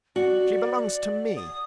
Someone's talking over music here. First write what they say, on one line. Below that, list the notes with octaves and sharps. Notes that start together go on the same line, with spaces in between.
She belongs to me.
F#4 D5
D#6